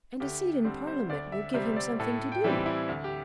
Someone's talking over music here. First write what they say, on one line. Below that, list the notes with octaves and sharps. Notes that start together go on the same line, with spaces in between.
"And a seat in Parliament will give him something to do."
D2 G4
D3 G3 C4 C5
C5
D2 D5
E5
C3 G3 C4 E5
D5
A2 A4
G5
E3 G3 C4 E5
E4
D2
G4